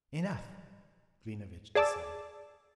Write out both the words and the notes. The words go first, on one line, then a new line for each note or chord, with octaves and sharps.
"Enough!" Klinevitch decided.
G#4 D5 A5 D6 E6